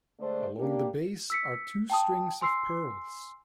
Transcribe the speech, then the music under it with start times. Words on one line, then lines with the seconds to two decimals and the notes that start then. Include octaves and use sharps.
Along the base are two strings of pearls.
0.19 D3 G#3 A3 D4 A4 C5
0.57 A#3 D4 G4
1.30 E6 B6 C#7
1.90 G5 A5 D#6
2.41 G#5 C6 E6 C7